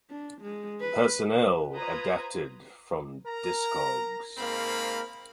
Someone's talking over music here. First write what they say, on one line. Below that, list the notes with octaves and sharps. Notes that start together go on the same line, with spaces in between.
Personnel adapted from Discogs.
D4
G#3
B4
F4 B4 C5 A#5 D#6 G#6
A#4 A#5
G#2 A#3 C4 F5 B5